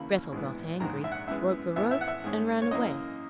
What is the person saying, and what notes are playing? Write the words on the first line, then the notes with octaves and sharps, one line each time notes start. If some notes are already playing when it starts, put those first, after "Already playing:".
Grettel got angry, broke the rope, and ran away.
Already playing: D#2 C#3 E3 A#3 B5
A#1 G#2 E3 G#3 B3
A#1 G#2 D#3 G#3 A#5
E5
F#5
F#2 E3 G#3 B3 E5
G#1 G#2 E3 B3 E5
E5
F#5
E5
G#2 D#3 G#3 C#4
C#5
F#2 E3 A#3 D#5